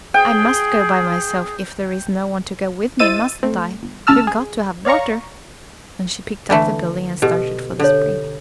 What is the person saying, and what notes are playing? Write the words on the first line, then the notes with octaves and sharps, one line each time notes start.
"I must go by myself if there is no one to go with me, mustn't I? We've got to have water," and she picked up the billy and started for the spring.
G#4 G5
E4 C5 D#5 E6 A6 D#7
A3 C4
G1
A1 C#3 C#4 A5 E6 F6
G#4
C#5 D5 F5 A#5 C#6
D3 E3 A3
B2 G4 A4
D3 A4 C#5